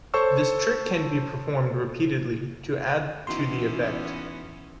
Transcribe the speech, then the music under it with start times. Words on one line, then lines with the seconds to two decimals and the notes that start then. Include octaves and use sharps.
This trick can be performed repeatedly to add to the effect.
0.14 A4 C5 C#5 A5 C#6 E6
3.27 E3 B3 C#4 D#4 F#4 C6